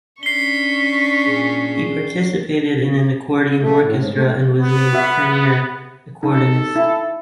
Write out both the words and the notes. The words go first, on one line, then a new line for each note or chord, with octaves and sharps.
He participated in an accordion orchestra and was named "premier" accordionist.
C#4 D4 C#6 B6 C7 G7
A#2 G#4
A3
A2
G#2
A3
B3
F#4 E5
D#4 A4
E4